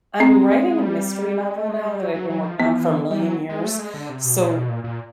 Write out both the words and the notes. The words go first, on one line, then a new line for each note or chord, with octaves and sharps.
I'm writing a mystery novel now that I've been working on for a million years, so
G#3 C4
G#3
G3
G#3
A3
G#3
G3
F#3
F#3
F#3
F3
F3 B3
E3
G3
F#3
G#3
A3
G#3
D3
C3
B2
A#2
B2
A#2
A#2